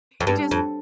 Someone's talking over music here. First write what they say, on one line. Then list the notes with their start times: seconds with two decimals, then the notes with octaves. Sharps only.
it just
0.20 F2
0.27 G2
0.51 F2